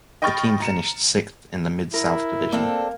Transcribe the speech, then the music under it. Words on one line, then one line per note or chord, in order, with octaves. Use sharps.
The team finished sixth in the Mid South Division.
D#5 G5 B5 C#6 F6 A6
A#5 C#7 E7
E4 A#4
A#3 C4 D4 A4